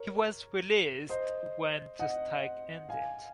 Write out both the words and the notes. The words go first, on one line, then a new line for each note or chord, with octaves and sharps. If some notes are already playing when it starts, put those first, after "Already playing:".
He was released when the strike ended.
Already playing: A#4 C#5
C5 D#5
D#5 F#5
F5 G#5